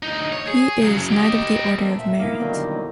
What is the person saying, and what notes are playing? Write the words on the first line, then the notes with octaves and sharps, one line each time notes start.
He is Knight of the Order of Merit.
D2 D#4
C#5
G#4
C#3 F#3
G4 D#5
A#3 C4 A4
A#2 E5
A#3 D#4 E4 F5 D6
B2 D3 D#3 F#3 G3 A#3 B3